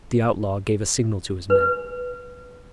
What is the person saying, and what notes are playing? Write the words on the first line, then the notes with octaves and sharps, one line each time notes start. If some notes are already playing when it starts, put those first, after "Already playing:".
The outlaw gave a signal to his men.
B4